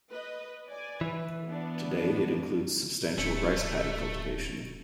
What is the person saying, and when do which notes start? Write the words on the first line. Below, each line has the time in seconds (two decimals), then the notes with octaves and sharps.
Today, it includes substantial rice paddy cultivation.
0.11 B4 D#5
0.67 D5 G#5
1.01 E3 B4
1.44 B3 D4
3.18 D1 A3 C#4